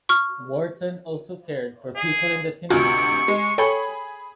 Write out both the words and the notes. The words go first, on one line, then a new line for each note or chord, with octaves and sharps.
Wharton also cared for people in the community.
C#6 F6
G#4
A1 D2 C3 F4 F#4 G#5 C#6
G#3
G#4 A4 C#5 G5 B5